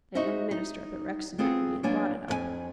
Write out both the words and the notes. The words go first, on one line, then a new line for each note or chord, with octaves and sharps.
That young minister up at Rexton met me and brought it up.
D#4 F#4 C5 D#5 E5
D#4
B3 C4 F4 G#4 A4
F#3 A#3 B3 D4 G#5
F2 A4 G#5